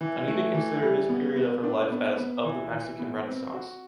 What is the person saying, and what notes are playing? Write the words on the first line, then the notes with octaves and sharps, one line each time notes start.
Anita considered this period of her life as “Of the Mexican Renaissance”.
E3
A3
E3
G3
B3
B3
D4
B3
B3
E3
E3
B3
C4
F#4